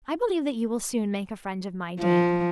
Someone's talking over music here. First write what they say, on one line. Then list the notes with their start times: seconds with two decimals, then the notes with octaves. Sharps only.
I believe that you will soon make a friend of my Dane.
2.01 F3